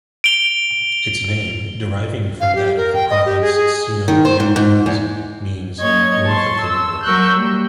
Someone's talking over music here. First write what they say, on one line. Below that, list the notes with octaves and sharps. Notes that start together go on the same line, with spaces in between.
Its name, deriving from that of the Province Sino-Vietnamese, means north of the river.
D7 F7 G7
F5
G4
A#4
G5
D#5
G4
G#4
G#4
D#3
C5
G#2
G#2
E2
F#2 A#3 C#5 D#5 G#6
A5 C6 C#6
E6
F#3 A#4 C#6 E6 F#6 G6
G3 A#3